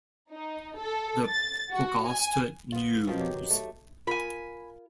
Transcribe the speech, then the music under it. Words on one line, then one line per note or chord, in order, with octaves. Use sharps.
"The Pogosta News".
D#4
A4
A6
F#4
G#5
B3 F4
B2 D#3 F3 G5
F#3 G4
A3
F4 A#4 G#5 B5